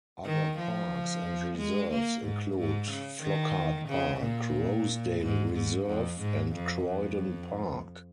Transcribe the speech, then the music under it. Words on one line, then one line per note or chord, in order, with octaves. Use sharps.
Other parks and reserves include Flockhart Park, Rosedale Reserve and Croydon Park.
D#3
F3
G#3
A#3
G#2
G#2
C#3
D#3
C#3
A#2
G#2
G#2
F2
G#2
F2
F2